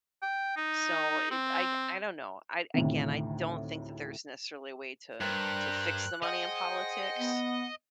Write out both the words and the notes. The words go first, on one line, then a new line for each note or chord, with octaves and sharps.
So, it I c I don't know. I again, I don't think that there's necessarily a way to to fix the money in politics,
G5
D#4
C4
D2 A2 C3 D#3
G2 A#4 C5 G5 F#6
G#4 C5 D#5 F#5 G5
B3